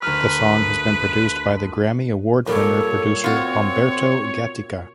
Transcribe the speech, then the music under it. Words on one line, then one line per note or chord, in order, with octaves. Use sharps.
The song has been produced by the Grammy Award Winner producer Humberto Gatica.
D2 A#4 B4 F6
A#2 G3 A4 C#5
C4 F4 F#4